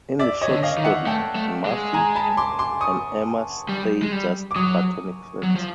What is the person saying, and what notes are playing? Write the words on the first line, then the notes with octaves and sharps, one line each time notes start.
In the Schott story, Murphy and Emma stay just platonic friends.
D5 E5
C#5 D#5
D3
D#5 F5
D#3
E5 F#5
A3 G5 A5
A3
G#3
G#5 A#5
A5 B5
C6 D6
C6 D6
C#6 D#6
G3
G#3
G3
D6
F#3 C#6 D#6
F#3
F3